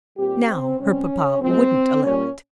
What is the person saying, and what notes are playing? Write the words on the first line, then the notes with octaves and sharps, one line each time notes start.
Now her papa wouldn't allow it.
A#2 G3 C4 G4
C4
C3 G3 C4 C#4
A#2 F3 G#3 C4
A#2 G3 A#3 C#4